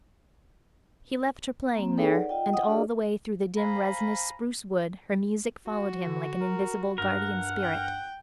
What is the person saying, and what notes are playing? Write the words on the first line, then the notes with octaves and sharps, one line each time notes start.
He left her playing there, and all the way through the dim resinous spruce wood her music followed him like an invisible guardian spirit.
A#3 C4
D#4 G#4 A4 B4 C#5 G5
D5 F#5
F4 D#5 G5
D#5 F#5 G5 D#6
D4 F4 F#4 G#4 D5 D#5
C5 F5 G#5 A#5 B5
F#4
D3
A#4
G2 A#4 F#5
G5